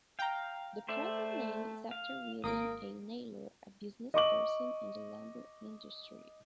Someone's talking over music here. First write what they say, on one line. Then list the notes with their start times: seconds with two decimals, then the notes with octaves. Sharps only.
The present name is after William A. Naylor, a businessperson in the lumber industry.
0.19 F5 G5 A#5
0.88 A3 C5 D5 E5
1.91 F5
2.44 G#1 A#3 D#6 D7
4.14 D#5 C#6 D6 F#7